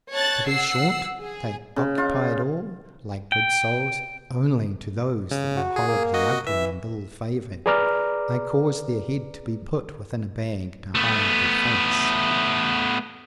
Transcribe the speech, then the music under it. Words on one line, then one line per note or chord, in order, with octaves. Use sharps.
To be short, they occupied all, like good souls; only, to those that were horribly ugly and ill-favoured, I caused their head to be put within a bag, to hide their face.
C#5 A5 F#6 A6
F#5 E6 C7
G#4
C#3
F4
G5
C#3
F#4
G#4
A#3
F#4 D#5
E3 E5
G#4 B4 D5 A#5 D6 F6
A3 B3